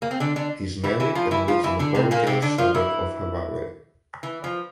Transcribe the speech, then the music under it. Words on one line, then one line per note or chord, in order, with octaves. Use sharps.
He is married and lives in the Borrowdale suburb of Harare.
A#3
C4
D3 D4
D3 D4
E3 E4
E3 E4
F3 F4
E3 E4
F3 F4
E3 E4
D3 D4
C3 C4
A#2 A#3
C3 C4
D3 D4
F3 F4
E3 E4
E3
F3